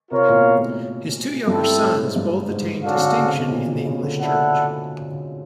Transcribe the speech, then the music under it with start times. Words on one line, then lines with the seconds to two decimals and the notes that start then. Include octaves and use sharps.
His two younger sons both attained distinction in the English church.
0.11 C3 F4 A#4 C#5 F5
0.29 A#2
0.35 B2
0.57 A2
1.47 G2 A3 C4 E4 A4
1.82 A2
2.04 G#2
2.16 G2
2.50 G#2
2.84 C#4 F#4 A4 D5 F5
2.98 D3
3.11 C#3
3.24 C3
3.38 B2
3.51 A#2
3.68 B2
3.85 C#3
4.03 D3
4.19 E4 A4 D5 F#5